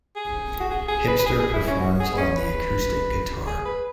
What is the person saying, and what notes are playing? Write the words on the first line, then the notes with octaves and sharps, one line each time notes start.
Hipster performs on the acoustic guitar.
G#4
F#4
G#4
G#4
B4
B4
G#4
G#4
E4
C#4
F#4
G#4
B3
C#4
B4
G#4
B4